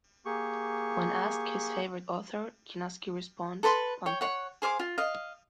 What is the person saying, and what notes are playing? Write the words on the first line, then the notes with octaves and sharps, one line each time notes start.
When asked his favorite author, Chinaski responds, Fante.
A#3 G4 G#4 C#6
A4 B4 B5 C6
C#5 G5
C#5 F#5
G#4 C5 F5 D6
F4
D#5 F5